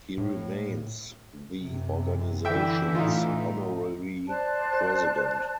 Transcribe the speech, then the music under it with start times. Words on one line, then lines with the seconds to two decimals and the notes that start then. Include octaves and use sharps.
He remains the organization's honorary president.
0.18 A2
1.60 F#2 C3
2.45 D3 E3 E4 E5 G5
2.95 A2 D#4 F4
4.28 C5 D5 A5 F#6